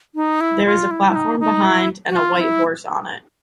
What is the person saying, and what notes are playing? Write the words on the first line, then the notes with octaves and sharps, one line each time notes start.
There is a platform behind, and a white horse on it.
D#4
E4
F4
E4
E4
D#4
D#4
E4
F#4
F4
E4